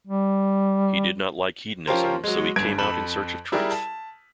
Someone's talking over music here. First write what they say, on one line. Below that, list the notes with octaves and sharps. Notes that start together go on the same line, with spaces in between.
He did not like hedonism so he came out in search of truth.
G3
F3 C#4 F4 G4 A#4 C5
F#3 G#3
G1 G2 G#6 D7
F2 A4 B5 E7 F#7
G3 E4 G4 G#4 A#4 D5
A5